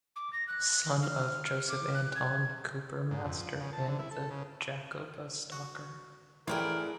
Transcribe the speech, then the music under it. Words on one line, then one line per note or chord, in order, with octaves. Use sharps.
Son of Joseph Anton, cooper master, and the Jakobea Stocker.
D6
A#6
F#6
F6
D6
F#6
G#6
G#2
F2
F3
C#3
A5
D3
E4
A4
C#3
F#4
A1 E3 E4 G#4 A#4 D5 G5